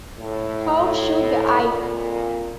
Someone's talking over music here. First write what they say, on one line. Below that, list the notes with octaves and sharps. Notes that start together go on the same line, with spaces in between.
How should I?
A2
F2 A#2